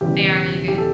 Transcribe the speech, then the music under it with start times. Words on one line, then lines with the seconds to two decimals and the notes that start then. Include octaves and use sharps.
They are really good.
0.01 E1 E2 C#3 G3 G4
0.68 G4
0.78 A4